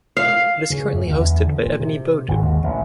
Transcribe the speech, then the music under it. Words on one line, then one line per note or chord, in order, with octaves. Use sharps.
It is currently hosted By Ebony Boadu.
F5
C#3
F#2
D2
E2
D3
A#2
C3
G#1
D#2
A1